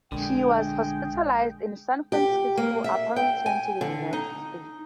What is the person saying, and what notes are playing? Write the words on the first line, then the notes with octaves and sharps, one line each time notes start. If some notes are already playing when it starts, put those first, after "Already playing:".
She was hospitalized in San Francisco upon return to the United States.
A#1 D3 G#3 G5
G4
A#3
E5
G5
G#5
D3
D#4